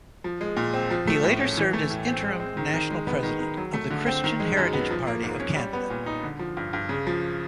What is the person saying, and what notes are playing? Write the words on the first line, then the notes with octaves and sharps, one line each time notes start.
He later served as interim national president of the Christian Heritage Party of Canada.
F3
G#3
A#2
C4
F3
A3
A2
C#4
E3
A3
A2
C4
G#3
C4
D#3
D#3
G#3
B3
D#3
D#3
F#3
A3
D3
C4
D#3
G#3
F#2
B3
F3
A#3
G#2
C#4
G3
B3
A#2
D#4
D3
F3
G2
G2
C#3
F3